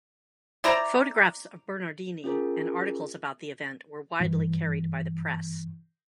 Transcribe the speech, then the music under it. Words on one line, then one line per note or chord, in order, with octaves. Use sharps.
Photographs of Bernardini and articles about the event were widely carried by the press.
E4 C5 D5 A#5
C#4 F4 G#4 A#4
G2 E3